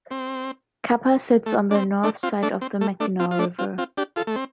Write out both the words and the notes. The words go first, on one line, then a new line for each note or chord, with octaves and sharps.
Kappa sits on the north side of the Mackinaw River.
C4
A3
D4
C4
A3 D4
C4 F4
A3 D4
C4
A3
A3 D4
C4 F4
F4
A3 D4
C4 F4
C4 F4
D4 G4
F4 A4
A3
C4